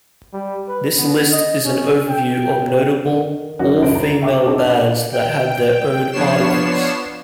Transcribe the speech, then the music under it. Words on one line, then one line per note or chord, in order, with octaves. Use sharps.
This list is an overview of notable all-female bands that have their own articles.
G3
B4
B3
D#5
C#4
G5
D#3
F#2 D#3 C#4 F#4
C#2 C#3 F3 C5 D7
A#5
E5 G5 C#6 D6
C4 D4 D#4 G#4 A4
G5
F3 B3 D4 C#5 C7 E7